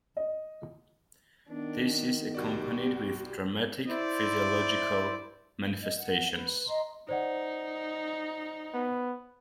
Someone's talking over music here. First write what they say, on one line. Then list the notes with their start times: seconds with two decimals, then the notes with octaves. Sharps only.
This is accompanied with "dramatic physiological manifestations".
0.17 D#5
1.49 D#3 B3 D4
2.35 C2 F#4 G4 D5
3.88 E4 C5 D5
5.82 D#5
5.98 F#5
6.32 B4
6.67 D#5 A#5 C6
7.09 D#4 C5 D5 F#5
8.74 B3